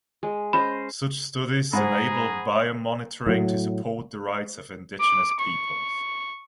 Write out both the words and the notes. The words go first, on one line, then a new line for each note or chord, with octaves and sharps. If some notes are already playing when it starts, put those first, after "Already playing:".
Such studies enable biomonitoring to support the rights of indigenous peoples.
G#3
C#4 C5 D#5 B5
G#2 G#4 C5 F#5 A#5 B5
A2 F#3
D6
C#6